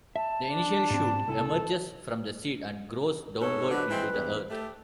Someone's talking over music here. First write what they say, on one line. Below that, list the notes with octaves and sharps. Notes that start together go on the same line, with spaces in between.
The initial shoot emerges from the seed and grows downward into the earth.
E5 A5
D4
G#2 C4
C2 E4 A4 G#5
G#2 A4 C#5
D3 D#3 F#3 B4
E3 G#3 C4
E2 G2
A3 G4 A4